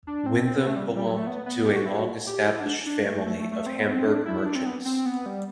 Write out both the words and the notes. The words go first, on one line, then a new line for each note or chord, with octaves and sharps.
Winthem belonged to a long-established family of Hamburg merchants.
D4
C4
C4
B3
A3
G3
G3
F#3
A3
B3
B3
G4
F#4
E4
F#4
G4
E4
D4
D4
A3
A3
A3
A3
C4
B3
C4
D4
E4
D4
C4
B3
C4
B3
G3